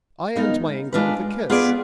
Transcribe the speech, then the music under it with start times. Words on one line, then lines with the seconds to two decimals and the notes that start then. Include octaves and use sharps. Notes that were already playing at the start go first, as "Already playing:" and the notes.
I end my anger with a kiss.
0.35 G#3 B3 D#4 A#4 F5
0.93 G#3 D4 F4 B4
1.50 B3 F4 G#4 B4 D5